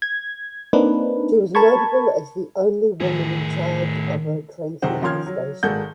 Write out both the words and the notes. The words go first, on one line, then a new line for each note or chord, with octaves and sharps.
She was notable as the only woman in charge of a transmitting station.
G#6
A#3 C4 D4 D#4 B4
A#4 A5 B5 C#6 G#6
A2 D#3 G#4
F#1 C3 D#3 C4 C5 F#5
D#3 F3 C#4 C6 F6 G#6
F#3
G#1 G#3 A4 A#4 F#5 G6